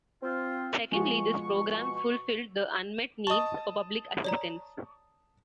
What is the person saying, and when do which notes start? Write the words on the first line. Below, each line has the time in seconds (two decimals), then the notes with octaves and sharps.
Secondly this program fulfilled the "unmet needs" for public assistance.
0.23 C4 F4
0.92 B2 F3 G#3 C#6
3.27 D#5 A5 C#6 D#6
4.24 C#5 D5 A#5